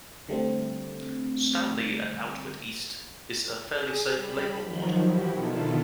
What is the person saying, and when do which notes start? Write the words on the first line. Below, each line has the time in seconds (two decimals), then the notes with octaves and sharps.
Stanley and Outwood East is a fairly safe Labour ward.
0.29 D3 G3 A3 C4
3.69 G#4
4.15 G3 B5
4.63 D#3 F3 F#3
5.01 E3 F3 E4 F#4 G4
5.31 B2 D3 D#3 E4 F4 A4